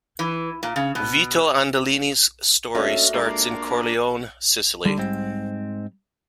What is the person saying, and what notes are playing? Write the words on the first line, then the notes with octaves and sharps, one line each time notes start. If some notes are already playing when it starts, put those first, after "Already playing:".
Vito Andolini's story starts in Corleone, Sicily.
E3
A#2
C#3
B2
A3 A#3 C#4 D4 F#4 A4 D#5 E5
G#3 A#3 D4 F4
D3 G3
G#2 C4